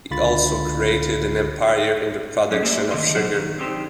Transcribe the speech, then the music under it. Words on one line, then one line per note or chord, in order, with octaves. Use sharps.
He also created an empire in the production of sugar.
C#2 D3 F4 B5 A6
F#2 F#3 C#4 D#4
A3 A#3 G4 G#4 D5 E5
D3 D#3 A3 D#4 D#5 C6
B2 F#3 A4 C5 F#5
D#3
C4 D4 D#4 G4 C5